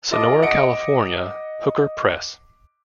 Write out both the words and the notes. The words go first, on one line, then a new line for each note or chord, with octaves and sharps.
Sonora, California: Hooker Press.
F4 A4 D#5 D6
D#5 F#5 A#6 C#7 D7